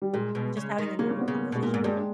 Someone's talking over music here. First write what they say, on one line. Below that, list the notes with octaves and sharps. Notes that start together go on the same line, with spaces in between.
Just having a normal conversation with them.
G3
A#2 G#3
B2
C#3
D#3
C#3 A#3
A#3
B3
C#3
B2 G#3
A#2 A#3
G#2
G2 G#3